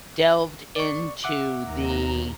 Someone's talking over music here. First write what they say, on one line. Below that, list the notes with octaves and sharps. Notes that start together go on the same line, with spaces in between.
delved into the
D5 C#6
E5 F#5 D6
D#2 A#5